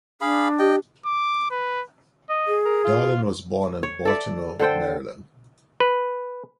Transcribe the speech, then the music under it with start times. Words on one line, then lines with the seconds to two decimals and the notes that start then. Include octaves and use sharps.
Darling was born in Baltimore, Maryland.
0.21 D4 G#4 F5 B5
0.59 G4 D#5 G5
1.06 D6
1.51 B4
2.29 D#5
2.47 G#4
2.65 A#4
2.85 F4
3.83 C#5
4.05 A4 D5 E5
4.59 D3 A4 C5 G5
5.80 B4